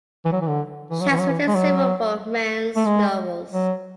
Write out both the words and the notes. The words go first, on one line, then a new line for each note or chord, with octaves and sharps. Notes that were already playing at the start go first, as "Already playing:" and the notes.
She has written several romance novels.
E3
F#3
E3
D3
E3
F#3
E3
F#3
E3
G#3
F#3
A3
G#3
F#3